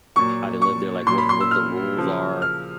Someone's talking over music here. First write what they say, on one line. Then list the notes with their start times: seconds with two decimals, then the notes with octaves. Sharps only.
how they lived there, like, what what the rules are,
0.16 A#2 F#3 C#6
0.62 C#6
1.07 A#2 F#3 C6
1.18 B5
1.29 C6
1.40 E6
1.51 F6
1.97 C#3 F3
2.42 F6